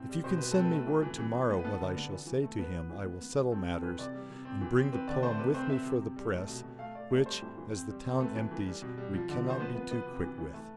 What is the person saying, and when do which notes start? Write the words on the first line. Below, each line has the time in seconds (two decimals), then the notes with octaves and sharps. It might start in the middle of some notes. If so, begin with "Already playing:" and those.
If you can send me word to-morrow what I shall say to him, I will settle matters, and bring the poem with me for the press, which, as the town empties, we cannot be too quick with.
Already playing: A2 C4
0.09 G3
0.24 B2 C5
0.38 B2 B4
0.51 C4 A4
0.65 B4
0.72 A3
0.87 E3
1.02 E3
1.18 E3
1.34 E3
1.49 B3
1.59 B4
1.64 B3 A4
1.80 D3
1.96 B3
2.12 E3
2.27 E3
2.43 A3
2.59 B3 B4
2.74 B3
2.90 E3
3.05 B3
3.21 B3
3.36 G3
3.51 C4 A4
3.68 C4
3.82 E3 B4
3.99 C3 D5
4.14 G3
4.30 C3
4.45 C4
4.61 E3
4.77 C4
4.92 C4 B4
5.08 D3 D5
5.23 A3 C5
5.39 C3 B4
5.54 C4 C5
5.70 C4 E5
5.85 C3
6.02 C3
6.16 G3
6.33 A3
6.48 B2
6.63 B2
6.79 A3 F5
6.95 A3 D5
7.10 A3 D5
7.26 G3 C5
7.42 A2
7.57 E3
7.73 C4
7.88 G3
8.05 C4
8.12 A4
8.20 A3 B4
8.36 E3
8.51 E3
8.67 G3
8.82 B2
8.98 G3
9.13 F3
9.29 D3
9.45 F3
9.50 C5
9.60 B3 B4
9.75 B3 B4
9.91 B3 B4
10.06 C3
10.22 E3
10.38 E3
10.53 A3